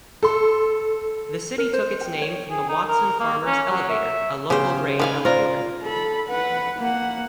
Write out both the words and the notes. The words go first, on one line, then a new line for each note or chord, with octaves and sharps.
The city took its name from the Watson Farmers Elevator, a local grain elevator.
A4 C6
A#4
C5
G5
C#5
G#4
D#4
A#4
A#3
C#4
F#3
E5
C#3 B3 G4 C5 C#5
D#3 F#3 G#3 B4 F5 G#5
F4 A#4 C5 D5 A#5
A4 B5
B4 F#5
A#3 F#5